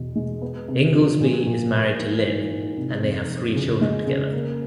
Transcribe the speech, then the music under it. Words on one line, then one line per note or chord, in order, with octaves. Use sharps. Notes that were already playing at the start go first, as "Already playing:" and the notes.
Inglesby is married to Lynn and they have three children together.
Already playing: E2 B2
G#3
B3
C3
F3
A#2
A#2
A#2
E3
G#2
G#2
C3
F2
F2
C#3
G#3
C#3
A#3